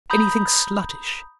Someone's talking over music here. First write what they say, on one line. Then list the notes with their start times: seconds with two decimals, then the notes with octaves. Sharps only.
Anything sluttish?
0.10 A#5 B5 D#6 G6